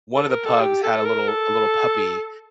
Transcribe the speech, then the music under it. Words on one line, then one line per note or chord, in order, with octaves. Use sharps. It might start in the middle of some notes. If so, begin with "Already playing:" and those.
one of the pugs had a little a little puppy,
A4
A#4
A4
G4
A4
A#4
A4